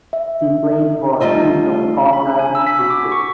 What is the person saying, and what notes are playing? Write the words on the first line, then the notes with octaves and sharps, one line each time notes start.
He played for East of Scotland District.
E5
G3 A3 F4 D#5 E5
B5
D4
G#5
E6
B6
F#4
D6
C#6